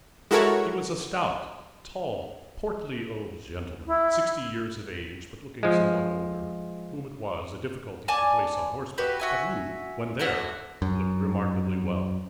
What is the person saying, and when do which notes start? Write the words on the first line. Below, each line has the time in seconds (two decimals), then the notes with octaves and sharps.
He was a stout, tall, portly old gentleman, sixty years of age, but looking somewhat older, whom it was a difficulty to place on horseback, but who, when there, looked remarkably well.
0.31 G#3 E4 F#4 A4 A#4 C#5
3.87 E4
5.63 F3 G#3
8.08 D5 G#5 A5
8.98 F#4 G4 B4
9.19 F#4 E5 G#5
10.19 E4 F#4 A4
10.82 F#2